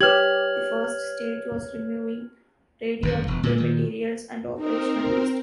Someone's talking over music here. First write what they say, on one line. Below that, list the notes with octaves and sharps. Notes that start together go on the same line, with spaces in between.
The first stage was removing radioactive materials and operational waste.
G4 B4 C#5 F6 G#6 F#7
G#1 F#2 D3
E1
A#2 D3 E3 G#3
A#2 D#3
C4 D#4 A#4